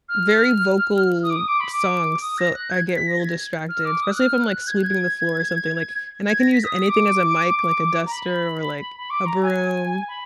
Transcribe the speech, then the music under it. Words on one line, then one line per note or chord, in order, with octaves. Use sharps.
very vocal songs, so I get real distracted, especially if I'm, like, sweeping the floor or something, like and I can use anything as a mic, like, a duster or, like, a broom.
F6
D#6
D6
D#6
D6
B5
D6
D#6
A#6
F#6
G#6
B6
A#6
G#6
F6
D6
D#6
F#6
F6
F#6
G#6
F#6
G#6
G#6
A#6
B6
D#6
D6
A#5
B5
B5
D6
A#5
G#5
B5